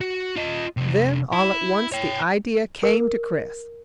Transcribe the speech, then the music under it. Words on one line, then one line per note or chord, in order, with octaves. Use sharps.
Then all at once the idea came to Chris.
F#4
F4 D#5
C3 F3
E4
C#5 G5
A#4